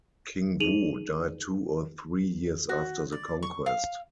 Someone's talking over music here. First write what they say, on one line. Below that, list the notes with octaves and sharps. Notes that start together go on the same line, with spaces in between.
King Wu died two or three years after the conquest.
D#4 G#4 D#7 F7 F#7
F#4
D5
C#6
F5